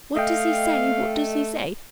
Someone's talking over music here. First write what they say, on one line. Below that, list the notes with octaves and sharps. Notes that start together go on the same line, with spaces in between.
'What does he say, what does he say?
A3 D#5 F5 G5